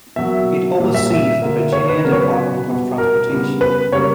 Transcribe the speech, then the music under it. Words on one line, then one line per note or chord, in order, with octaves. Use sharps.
It oversees the Virginia Department of Transportation.
B2 F#3 A#3 E5
A#2 G3 A#3
E5
E5
D3 A#3
C#5
B4
C#3 F#3 B3 A#4
C#5
B4
B2 G3 B3
A#4
C#3 G3 B3
B4
C#3 G3 A#3 C#5